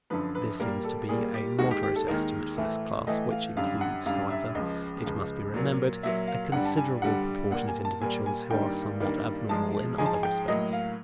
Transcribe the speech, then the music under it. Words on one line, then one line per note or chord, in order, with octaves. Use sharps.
This seems to be a moderate estimate for this class, which includes, however, it must be remembered, a considerable proportion of individuals who are somewhat abnormal in other respects.
F#2 D3 F3 B4
B4
A#2 G3 A#3 A#4
A4
A#2 G3 A#3 G#4
G4
D#2 D#3 G#3 F#4
G4
G4
A4
D#2 D#3 G#3 A#4
A2 E3 A3
A2 E3 A3 D#5
F5
F#2 D3 G3 F5
F#5
F#2 D3 G3 F5
E5
C#2 C#3 F3 D#5
C#2 C#3 F3
A#2 F#3 A#3
A#2 F#3 A#3 E5
F5
G2 D3 G3 F#5
A5
G#5
G2 D3 G3 F#5
A#2 G3 A#3 F#5
G#5
A5
A#2 G3 A#3 G#5
G#5
G2 D#3 G3 A#3 G5
G2 D#3 G3 A#3
G#2 F3 G#3 A5
G#2 F3 G#3 G#5
A5
G#5
G5
A2 F#3 A#3 D#5
F5